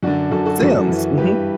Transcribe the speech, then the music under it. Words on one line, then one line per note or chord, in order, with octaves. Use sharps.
Sims, mhm.
F#2 D3 D4 F#4
F#2 D3 F#4 A4
F#4 A4
F#2 E3 F#4 A4
F#2 E3
G2 E3 G4 B4